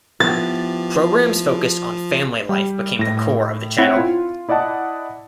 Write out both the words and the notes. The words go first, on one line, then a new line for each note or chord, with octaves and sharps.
Programs focused on family life became the core of the channel.
F3 B3 E4 G4 A6
G3
A2 A#6
C4 E4 C#5 F#5
F4
E4 D5 D#5 F#5 A5